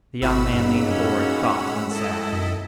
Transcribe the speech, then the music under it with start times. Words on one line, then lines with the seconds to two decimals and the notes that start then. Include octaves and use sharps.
The young man leaned forward, thoughtful and sad.
0.22 G#1 A2 E4 F#4 F#5 B5 E6
0.54 G2 C#3 A#3 D#4
0.88 F#2 C#4 F#4
1.40 G#3
1.91 E4 A4 D#5
2.33 B1 F#2 D#3 F#3